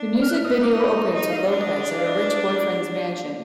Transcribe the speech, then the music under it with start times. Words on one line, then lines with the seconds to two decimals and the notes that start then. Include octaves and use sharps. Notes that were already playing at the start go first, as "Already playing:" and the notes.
The music video opens with Lopez at her rich boyfriend's mansion.
Already playing: D4
0.22 F6
0.29 F#6
0.37 F6
0.45 D#4 D#6
0.62 D6
0.79 B5
0.96 A#5
1.14 D#4 D#5
1.29 F5
1.37 D#5
1.48 D4
1.60 D#5
1.83 D5
1.97 F5
2.06 D#5
2.29 D5